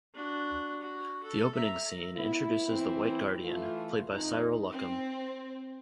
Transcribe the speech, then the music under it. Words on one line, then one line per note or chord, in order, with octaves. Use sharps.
The opening scene introduces the White Guardian, played by Cyril Luckham.
D4 F#4
F#4
A4
E5 A#5
B3 E4
E3 C4 E4
E3 A3 F4
F2 D#4
C4